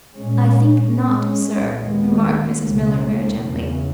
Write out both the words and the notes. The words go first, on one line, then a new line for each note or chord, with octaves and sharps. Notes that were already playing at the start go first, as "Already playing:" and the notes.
"I think not, sir," remarked Mrs. Miller very gently.
A#2 G#3 C#4
A#2 G#3 C#4
D#2 D#3 G#3 B3
C#2 B2 A#3 C#4
E2 C#3 E3